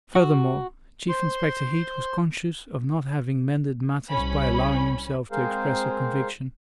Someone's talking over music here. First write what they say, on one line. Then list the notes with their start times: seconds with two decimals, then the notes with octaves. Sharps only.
Furthermore, Chief Inspector Heat was conscious of not having mended matters by allowing himself to express a conviction.
0.15 F#4
1.09 C5 C6
4.09 C2 C#4 B5
5.31 G#3 C4 G#4 A#4 C5 F5